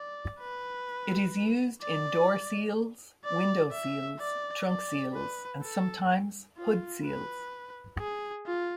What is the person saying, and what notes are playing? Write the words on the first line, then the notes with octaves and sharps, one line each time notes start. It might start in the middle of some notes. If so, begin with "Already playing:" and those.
It is used in door seals, window seals, trunk seals, and sometimes hood seals.
Already playing: D5
B4
D5
D5
E5
D5
D5
B4
A4
F4
B4
G#4
F4